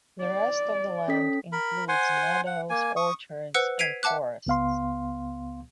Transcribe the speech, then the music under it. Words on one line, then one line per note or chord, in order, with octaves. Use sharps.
The rest of the land includes meadows, orchards, and forests.
D5
C#4 A4 B6
A#4 B5
C5 F#5 G#5 C6
F#5
A#3 G#5
C#6 D#6
B4 C5 F#5 E6 F#6 C#7
G#6 B6 C7 D7 D#7 F7
E5 F#5 A5 D6 F#6
C#2 B3 F5 C6